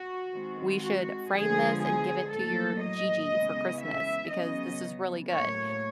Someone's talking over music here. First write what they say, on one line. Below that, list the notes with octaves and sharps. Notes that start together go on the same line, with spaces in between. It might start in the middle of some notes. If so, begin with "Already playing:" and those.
We should frame this and give it to your Gigi for Christmas because this is really good."
Already playing: F#4
D#3 G#3 C4
F#4
D3 F3 G#3 B3 G#4
G#4
A2 F#3 A#3 A4
D#5
C#3 E3 G#3 B3
E5
C#3 F#3 B3 D#5
A2 F#3 A#3 C#5